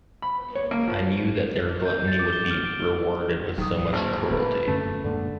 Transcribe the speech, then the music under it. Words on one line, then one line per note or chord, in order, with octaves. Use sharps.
I knew that their gluttony would be rewarded with so much cruelty.
B5
C#5
A#3
F3
G6
A6
D6
G7
F6
D7
D1 D#3 F#3 D#6
G#1 D#2 C5
D1 D2 B3 B4
F#2 D3 A3 C#4
F#2 A#2 D3 G#3